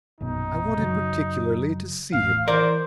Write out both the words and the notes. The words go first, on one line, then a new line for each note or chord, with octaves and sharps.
I wanted particularly to see him.
A#1 F#2 B2 D#4
F#2 C#3 F#3
A1 A2 F5
E3 A#4 C5 D5